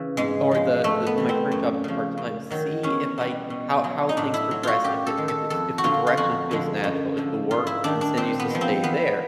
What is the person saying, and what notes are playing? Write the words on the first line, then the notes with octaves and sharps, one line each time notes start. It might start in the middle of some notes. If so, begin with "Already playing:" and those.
n or the the, in my current job to part-time, see if I ca how how things progress, if it if it's if the direction feels natural, if the work continues to stay there.
Already playing: C#3 E3
G#2 G#3
F3 G#3
G#2 A3
B3
E3 G3
C4
F#2
C#3 F3
F#2
D#3 F#3
E2 C#4
B2 G3
B2
F#3
D#4
A2 D4
E4
F#3
F4 F#4
F#2 G4
A4
D#3 G#3
A4
F2 A4
F#4
D3 F#3 F4
F4
F2 F#4
D3 F3 G#3
F#2
D3 F3
G#2 F4
E4
D#3 G3 D4
D4
A#2 C4
B3
F3 G#3
C4
E2 B3